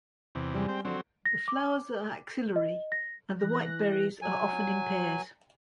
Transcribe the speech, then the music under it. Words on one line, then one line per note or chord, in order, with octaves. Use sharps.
The flowers are axillary and the white berries are often in pairs.
E2 C3
G3 G#3
C4 G5
D3 F3 F#3 C4 D4
A#6
D6
D#5
A#6
E3 F#6 A#6
F#3 G#5